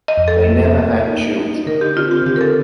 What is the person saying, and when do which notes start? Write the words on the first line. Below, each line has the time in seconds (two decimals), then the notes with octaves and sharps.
They never had children.
0.08 D#5
0.17 F2
0.28 A4
0.47 A#3
0.77 A#3
1.07 D#4
1.37 D#4
1.66 D3 A#4
1.81 G4
1.96 C4 F4
2.11 G4
2.26 D3 G4
2.36 A#4
2.41 A4